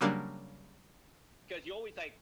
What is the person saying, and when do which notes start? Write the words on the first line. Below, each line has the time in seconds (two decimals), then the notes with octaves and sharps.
'cause you always, like,
0.01 C#3 F#3 G3 A#3 D4